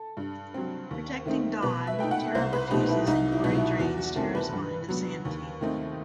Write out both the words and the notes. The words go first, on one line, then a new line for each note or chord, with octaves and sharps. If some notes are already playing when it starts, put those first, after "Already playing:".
Protecting Dawn, Tara refuses, and Glory drains Tara's mind of sanity.
Already playing: A4
G2
F#3 C4
D#2
D#3 A3 C4 D#4
B2 B4
E5
A3 D#4 G5
F#5
C2 C5
B4
B2 A3 D#4 G4
E4
C2 D#4
E4
B2 F#3 B3 D#4
E4
E2 F#4
F#4
D#3 A3 C4 A4
B4
G2
F#3 B3
D#2
D#3 A3 C4 D#4